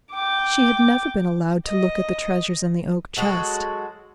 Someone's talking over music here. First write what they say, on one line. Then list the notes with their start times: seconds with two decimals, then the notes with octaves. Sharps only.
She had never been allowed to look at the treasures in the oak chest.
0.12 G5 D6
1.67 D#5
3.17 F#3 G#3 F#4 A4